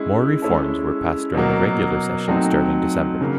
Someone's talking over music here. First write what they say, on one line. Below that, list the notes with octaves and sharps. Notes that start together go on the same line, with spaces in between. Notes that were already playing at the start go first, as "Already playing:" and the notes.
More reforms were passed during the regular session starting December.
Already playing: G#3 C#4 E4
G#3 C#4 E4 A4
B2 F#3 A#3
F#3 A3 C4 D#4
C#3 F#3 A#3